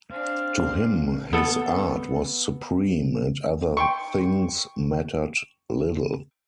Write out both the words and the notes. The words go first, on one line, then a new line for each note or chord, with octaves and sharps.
To him his art was supreme and other things mattered little.
C4 D4 F5
B3 A4
G5 C6 C#6